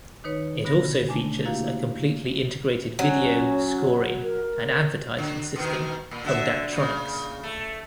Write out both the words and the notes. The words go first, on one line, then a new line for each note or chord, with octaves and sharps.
It also features a completely integrated video, scoring and advertising system from Daktronics.
D#3 D#4 B4 C#5
B2 D3 B3 A#6
A3 D4 G#5
A#3 E4 F#4 G4 F5 A#5
F#3 C#4
A#4
D3
B2 D#3
A#2
D3 F#4 E5
A#2 C#3
A3